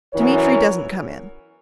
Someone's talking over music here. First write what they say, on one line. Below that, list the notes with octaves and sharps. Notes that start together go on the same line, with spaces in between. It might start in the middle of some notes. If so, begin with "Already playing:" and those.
Dmitri doesn't come in.
F#2 E3 B3 A#4 C#5